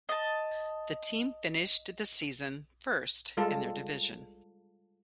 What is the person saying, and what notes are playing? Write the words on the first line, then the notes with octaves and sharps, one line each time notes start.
The team finished the season first in their division.
D#5 A5
G3 G#3 F4 A4